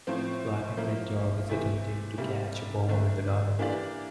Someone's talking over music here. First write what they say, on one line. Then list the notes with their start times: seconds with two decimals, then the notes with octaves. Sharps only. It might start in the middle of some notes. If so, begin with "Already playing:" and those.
The black and white dog is attempting to catch a ball in the garden.
0.07 A2 F3 C4
0.77 F3 A#3 E4
1.47 C3 E3 A3 E4
2.18 C3 G3 A#3 E4
2.89 D3 A3 D4
3.59 E3 A#3 D4 G4 D5